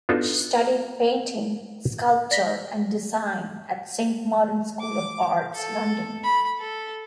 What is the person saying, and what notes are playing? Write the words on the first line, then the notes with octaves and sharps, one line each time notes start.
She studied painting, sculpture and design at Saint Martin School of Arts, London.
B3 D4 D#4 F4 F#4 A4
D5 A#6 B6
D6
A4
B5
A4